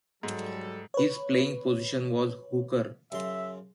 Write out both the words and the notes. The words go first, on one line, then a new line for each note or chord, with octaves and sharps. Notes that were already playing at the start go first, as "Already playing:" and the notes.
His playing position was hooker.
G#2 F#3 G3 A4
B4 C#5
F#2 C#3 E5 C6